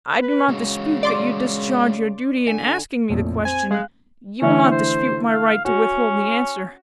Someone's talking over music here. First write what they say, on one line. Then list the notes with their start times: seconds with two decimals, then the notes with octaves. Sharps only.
I do not dispute that you discharge your duty in asking me the question; you will not dispute my right to withhold the answer.
0.19 B4
0.49 C#3 G#3 F#4
1.03 D5 C6 D6
2.48 D3 G#5
3.09 A#1 F2 A2
3.45 C4 G#5
3.71 G#3 F5 F#6
4.42 D3 E3 A3 C#4
4.71 C5
5.29 F5
5.65 C#4 F#4